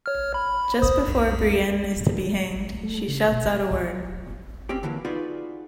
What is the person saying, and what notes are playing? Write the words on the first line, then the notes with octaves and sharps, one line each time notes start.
Just before Brienne is to be hanged, she shouts out a word.
C#5 F6
B5
C5 D#6
B1 F2
A3
C#3
B2
C4 C#4 G4
D3 E3 F#3 A#3
D#4 F4 F#4 G#4 B4 D5